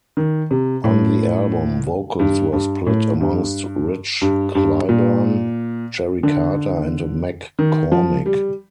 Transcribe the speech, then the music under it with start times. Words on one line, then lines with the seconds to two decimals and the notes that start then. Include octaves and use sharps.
On the album, vocals were split amongst Rich Cliburn, Jerry Carter and McCormick.
0.17 D#3
0.51 C3
0.84 A2
2.19 G2
2.53 G2
2.87 A2
3.21 G2
4.22 G2
4.55 G2
4.89 A#2
6.23 D3
7.59 D#3
7.92 F3
8.26 G3